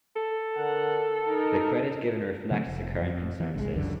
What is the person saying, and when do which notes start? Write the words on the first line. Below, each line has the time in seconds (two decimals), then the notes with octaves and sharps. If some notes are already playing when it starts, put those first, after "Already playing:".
The credit given reflects the current consensus.
0.16 A4
0.57 D3 A#4 F#5
1.27 D#4 A#4
2.51 C#3 F#3 A3 C4
2.67 F1
3.01 F2
3.40 E3 B3
3.55 G1 C2 D3 G#3
3.76 C#2 F#2 D3 E3